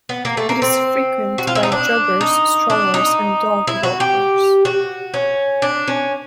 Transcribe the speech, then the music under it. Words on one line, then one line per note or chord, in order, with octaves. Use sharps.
It is frequented by joggers, strollers, and dog walkers.
B3
A#3
A3
A#3
C4
F#4
F4
E4
D#4
D4
D#4
D4
D#4
E4
F#4
G4
F#4
C#4
D4
C#4